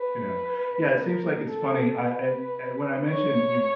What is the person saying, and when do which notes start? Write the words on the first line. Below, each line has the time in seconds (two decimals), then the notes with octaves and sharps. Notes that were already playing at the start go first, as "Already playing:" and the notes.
Yeah. Yeah, it seems like it's funny. I I when I mentioned you
Already playing: B4
0.95 A#4
1.48 A4
2.02 B4
3.09 C#5